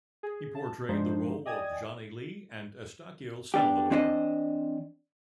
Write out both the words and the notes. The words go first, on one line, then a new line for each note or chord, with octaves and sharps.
He portrayed the role of Johnny Lee and Estaquio Salvador.
G#4
A5
G2 F3 G#3 D4 D#4 C5
D5 D#5 G5 G#5 D#6 G#6
B3 D4 G4
E3 C4 D4 E4 C5 D#5